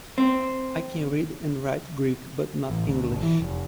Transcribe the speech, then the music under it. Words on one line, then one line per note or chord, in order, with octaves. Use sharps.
I can read and write Greek but not English.
C4
A1
D2
G1
E3
F1